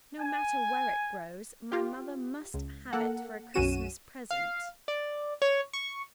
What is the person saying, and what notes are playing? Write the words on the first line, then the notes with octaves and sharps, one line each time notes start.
"No matter where it grows, my mother must have it for a Christmas present."
G#5
F4 G4
C#2
A#3 A4 F#5
B1 F#2 C#4 F#4 D#7 E7
F5
D5
C#5
C#6